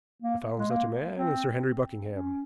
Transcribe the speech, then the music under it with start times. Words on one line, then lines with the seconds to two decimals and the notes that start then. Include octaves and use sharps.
I found such a man in Sir Henry Buckingham.
0.22 A#3
0.58 G#3
0.70 A#3
1.18 C4
2.13 C#4